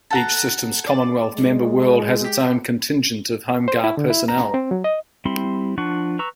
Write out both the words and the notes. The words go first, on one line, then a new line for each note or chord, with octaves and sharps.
Each Systems Commonwealth member world has its own contingent of Home Guard personnel.
A4 F#5 A#5
D5
G#3
G4
C5
E4
D3
E4
A#5
C4
F#3
D#5
G3 C4 E4 B5 C6
F3 D4 F#5 C#6
B4 A#5 C#6 E6